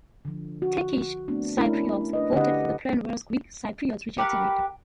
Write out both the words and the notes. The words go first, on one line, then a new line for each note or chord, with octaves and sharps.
Turkish Cypriots voted for the Plan whereas Greek Cypriots rejected it.
D3 F3
F#4
A3 B3 C4 D4
A3 C#4 D4 E4 A#4
D4 B4 D#5
D3 D4 G4 B4 D#5 F#5
G4 A#4 B4 F#5